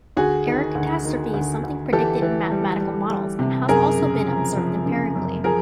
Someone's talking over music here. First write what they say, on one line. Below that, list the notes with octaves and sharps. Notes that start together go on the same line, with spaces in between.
Error catastrophe is something predicted in mathematical models and has also been observed empirically.
D2 F#4 G#4
D#3
D2
D#3
D2
D2
E3 G4 A4
E3
G3
G3
G3
C3
F#2 G#4 A#4
C#3
F3
F3
C#3
F#2
F3 G#4 A#4